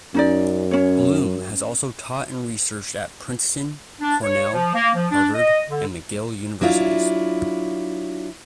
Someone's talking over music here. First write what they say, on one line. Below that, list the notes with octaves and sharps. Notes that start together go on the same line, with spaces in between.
Bloom has also taught and researched at Princeton, Cornell, Harvard, and McGill Universities.
F#2 C#4 D#4 D5
C#4 C#5
D4
C#5
F3
A#3
F3
D4
D#5
D3
F#3 D4 E4 F4